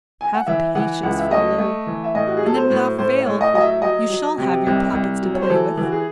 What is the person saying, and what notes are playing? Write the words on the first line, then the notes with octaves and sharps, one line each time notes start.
Have patience for a little, and then without fail you shall have your puppets to play with.'
G#5
F#5
E3 E5
E3 F#5
C#2 F#5
E5
A3 D#5
A3
E3
E5
A2 D#5
F#4
G#4
F#3 A4
C5
A2
A2 C5
C#5
A2
D#5
F#3 D#5
E5
F#3 D#5
F#3
C3
C2
C2
F#3
C#5
C5
E3 A4
E3 F#4
G#4